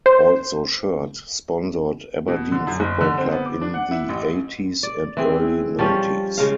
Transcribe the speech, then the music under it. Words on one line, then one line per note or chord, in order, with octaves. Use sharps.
Also shirt sponsored Aberdeen Football Club in the eighties and early nineties.
C5
B2
D3
F#2
F#1
D3
C4
B3
D6
D4
F#5
E4
A1
D5
E3 C4 G#4
F3 G3 C#4
C#3 G#3 F5